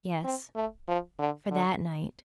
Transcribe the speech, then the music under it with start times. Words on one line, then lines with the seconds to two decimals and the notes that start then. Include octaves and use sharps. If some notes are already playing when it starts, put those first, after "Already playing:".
Yes, for that night.
0.24 C4
0.56 A3
0.88 F3
1.19 D3
1.51 D3